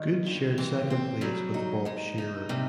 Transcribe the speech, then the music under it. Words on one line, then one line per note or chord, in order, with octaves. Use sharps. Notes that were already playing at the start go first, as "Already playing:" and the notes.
Good shared second place with Bob Shearer.
Already playing: D#3 G3
G2
E3 C4
C4
F#3 G3
D#4
G#3 D#4
D#4
C3 G3